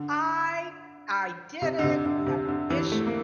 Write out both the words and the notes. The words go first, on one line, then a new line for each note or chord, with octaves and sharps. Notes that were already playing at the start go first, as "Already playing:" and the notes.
I I did it, not a issue."
Already playing: D3
C3
D3
C3
D3
C3
D3
E3
A3
A#3